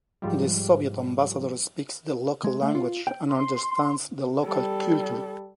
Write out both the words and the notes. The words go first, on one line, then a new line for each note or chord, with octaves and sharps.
The Soviet ambassador speaks the local language and understands the local culture.
G#2 F3 G3
G#3
A3
F4
G5
C6
G3 A4